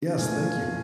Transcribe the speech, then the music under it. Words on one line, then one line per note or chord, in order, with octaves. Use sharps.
Yes, thank you.
A#2 A3 F5 G#5